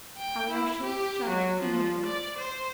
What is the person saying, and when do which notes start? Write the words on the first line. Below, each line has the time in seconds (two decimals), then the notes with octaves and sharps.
Alyosha shuddered inwardly.
0.18 G5
0.50 E4
0.83 G4
1.28 F#3
1.60 F3
2.06 D5
2.38 C5